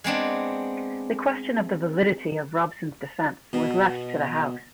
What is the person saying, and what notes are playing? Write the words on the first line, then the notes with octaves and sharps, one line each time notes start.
The question of the validity of Robson's defence was left to the House.
G#3 B3 C4 D4
B2